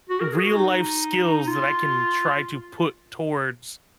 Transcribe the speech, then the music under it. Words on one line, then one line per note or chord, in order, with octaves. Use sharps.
real life skills that I can try to put towards
F#4
A#4
G#4
F#4
D#4
F4